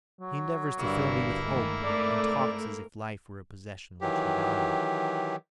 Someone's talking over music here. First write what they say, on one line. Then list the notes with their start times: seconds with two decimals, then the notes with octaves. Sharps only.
He endeavours to fill me with hope and talks as if life were a possession which he valued.
0.21 F#3
0.79 G1 G2 D3 A#3 E4 F#4
1.44 D#3 G#3 A3
1.83 G#2 A3 C4 A#4 D5
4.01 D#3 E3 F#3 G4